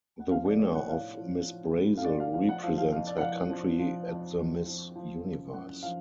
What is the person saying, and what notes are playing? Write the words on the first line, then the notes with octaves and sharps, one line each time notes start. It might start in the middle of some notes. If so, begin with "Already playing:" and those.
The winner of Miss Brasil represents her country at the Miss Universe.
F#5
F3 F5
D5
A2 C#5
F#5
A2 F5
F3
F3
A2
F5
A2 D5
F5
F3 F5
F#5
F3 F5
F5
F2 F5
D5
F#5
F2 F5
F3
F3
F2
F2
F3
F3
F#2
F#2 F#5
F3 F5